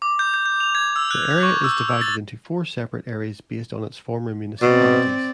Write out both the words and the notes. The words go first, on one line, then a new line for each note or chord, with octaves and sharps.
The area is divided into four separate areas based on its former municipalities.
D6
G6
G6
G6
F7
G#6
E6
F#6
C#6
E6
E6
A6
B2 C4 D5